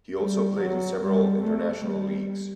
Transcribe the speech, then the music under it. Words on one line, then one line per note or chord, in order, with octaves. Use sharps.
He also played in several international leagues.
G3
F#3
G3
A3
G3